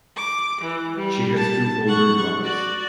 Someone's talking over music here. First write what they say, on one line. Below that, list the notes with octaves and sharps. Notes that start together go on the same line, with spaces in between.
She has two older brothers.
D6
E3
G3
A5
F#5 C#6
F#4 D5